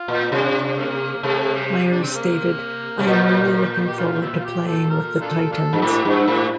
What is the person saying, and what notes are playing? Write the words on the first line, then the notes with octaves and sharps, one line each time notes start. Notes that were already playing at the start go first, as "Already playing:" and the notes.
Meyers stated, I am really looking forward to playing with the Titans.
Already playing: F4
A#2
C4
C3 G3 A#3 D4
D3 G3 A#3
C3 A3
A3
G3
D4
C4
A#3
C3
A#2
G4
A#3 D4 F4
G3 C4 E4
F4
G4
A4
A#4
D4 F4 A4
D4 F4 A4
G2
A2 C4 E4 G4
G2
E4
A2
G4